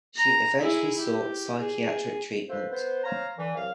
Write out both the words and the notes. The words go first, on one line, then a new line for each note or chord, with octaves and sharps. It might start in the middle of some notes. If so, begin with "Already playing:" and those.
She eventually sought psychiatric treatment.
A#5
E4 G#4
G4
G#4
F4 A4 B4 C5
B3 B4 C5
C5 C#5 F5 A#5
D3 E3
C2 F#3 F5